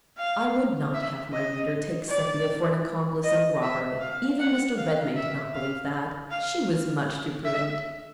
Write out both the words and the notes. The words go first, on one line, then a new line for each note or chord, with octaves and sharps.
I would not have my reader take Sepia for an accomplice in the robbery. Even Mr. Redmain did not believe that: she was much too prudent!
F5
E5
D#5
D5
D#5
E5
F5
F#5
F5
E5
F5
F5
E5